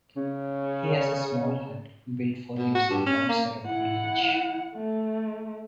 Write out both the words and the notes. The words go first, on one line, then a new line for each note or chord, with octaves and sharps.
He has a small hut built for himself outside of the village.
C#3 C#4
B2
F#4
G2
C#4
A#3
E4 F#5
A3